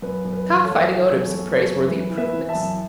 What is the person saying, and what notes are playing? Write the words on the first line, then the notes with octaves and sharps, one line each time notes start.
Cockfighting owed him some praiseworthy improvements.
F#2 B4
F#2
B4
E3
A4 C#5
F#2
E3 A4 C#5
F#2
A4 C#5
B3
A4 C#5
F#2
E3 B4
E3
B4 E5
E3
E5 A5
F#2